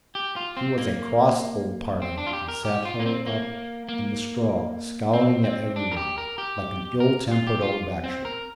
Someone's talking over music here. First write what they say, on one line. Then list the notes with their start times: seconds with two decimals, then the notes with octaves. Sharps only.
He was a cross old party, and sat huddled up in the straw, scowling at every one, like an ill-tempered old bachelor.
0.15 G4
0.36 F4
0.57 C4
0.78 A#3
2.02 C4
2.18 D4
2.27 F4
2.33 G4
2.48 A#4
2.65 G4
2.85 F4
3.00 A#3
3.06 C4
3.26 A#3
3.89 A#3
5.13 C4
5.44 C4
5.76 D4
5.91 A#4
5.97 G4
6.18 A#4
6.38 G4
7.00 A#4
7.31 F4
7.47 G4
7.62 F4
8.04 C4
8.25 A#4